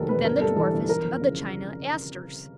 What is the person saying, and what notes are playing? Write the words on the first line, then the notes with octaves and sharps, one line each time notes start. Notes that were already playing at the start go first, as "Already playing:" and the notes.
And then the dwarfest of the China Asters.
Already playing: F1 D#2 D#3 F#3 A4 A#4
E1 B4
G1 A#4
G2 A4
E3 A4
G1
E3 A#4
F2
C#3